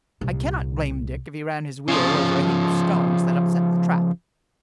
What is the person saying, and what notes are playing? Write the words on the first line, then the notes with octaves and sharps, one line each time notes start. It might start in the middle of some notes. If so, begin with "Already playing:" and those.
I cannot blame Dick if he ran his wheel over a heap of stones that upset the trap.
C2 A#2
C#3 F3